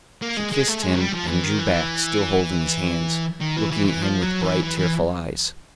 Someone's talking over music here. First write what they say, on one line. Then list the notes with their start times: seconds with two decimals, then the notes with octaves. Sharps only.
She kissed him, and drew back, still holding his hands, looking at him with bright tearful eyes.
0.22 A#3
0.37 G#3
0.52 G#3
0.68 A3
0.82 G#3
0.93 F#3
0.98 G3
1.13 F3
1.28 E3
1.43 D#3
1.59 E3
3.40 D#3
3.56 E3
3.71 E3
3.86 E3
4.02 F3
4.22 F#3
4.42 E3
4.63 E3
4.78 E3